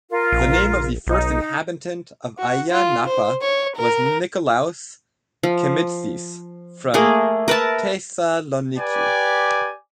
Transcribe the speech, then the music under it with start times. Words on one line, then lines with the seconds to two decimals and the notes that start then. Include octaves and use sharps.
The name of the first inhabitant of Ayia Napa was Nikolaos Kemitzis from Thesaloniki.
0.09 F4 A#4
0.32 A#1
1.07 B1 D#4
2.39 F#4
2.71 F4
3.08 C5
3.42 C#5
3.77 A#4
5.43 F3
6.94 A3 A#3 G#4
7.48 A#4 B4 E5 A5
8.78 G4 B4 D5 G5 G#5